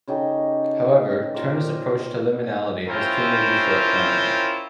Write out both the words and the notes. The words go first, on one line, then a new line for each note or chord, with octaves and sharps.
However, Turner's approach to liminality has two major shortcomings.
C#3 D#4 G4 A4
A#2 A#4 C5 D6
C#4 E4 F4 A#4 C5 G5